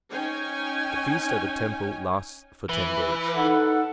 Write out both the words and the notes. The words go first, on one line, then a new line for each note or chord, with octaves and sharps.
The feast at the temple lasts for ten days.
C#4 D#4 C#5 G5 G#5
E3 B4
D#4 A4 F#5